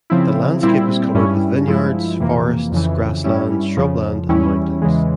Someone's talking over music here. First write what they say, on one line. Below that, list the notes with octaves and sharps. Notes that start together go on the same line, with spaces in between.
The landscape is covered with vineyards, forests, grasslands, shrubland and mountains.
C#3 F3 C4 E4
A#2 G3 C4 E4
G2 G3 C#4 E4
G2 F3 G#3 E4
F2 C3 E3 A#3
F2 C#3 E3
G2 G3 C#4 E4
F2 C#3 F3
E2 E3 G3 C#4 E4
E2 C#3 E3 G#3